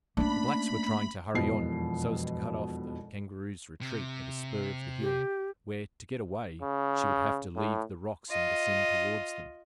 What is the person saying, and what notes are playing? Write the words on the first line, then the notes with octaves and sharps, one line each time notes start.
The Blacks were trying to hurry on, so as to cut off the Kangaroo's retreat at a spur of the hill, where, to get away, she would have to leave the rocks and descend towards them.
A3 A#3 C#4 D4 B5
E1 F2 B2 E3 F3 C7
C3
G4
C#3
A2
F4 D#5